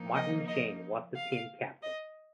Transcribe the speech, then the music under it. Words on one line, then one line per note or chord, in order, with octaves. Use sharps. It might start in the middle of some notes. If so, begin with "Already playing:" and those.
Martin Shane was the team captain.
Already playing: F3 A#3 D#4
D#5
D#5
F5
D#5